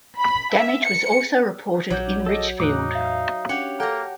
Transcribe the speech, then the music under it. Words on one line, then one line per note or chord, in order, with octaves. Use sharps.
Damage was also reported in Richfield.
B5
E5
C#7
A#1 F#3 D6 G6
A4 D#5
E2 A2 D#4 D6 F#6
E5 F5
C#4 D4 G4 C#5 F#5
A#3 A4 F#5 G5 A#5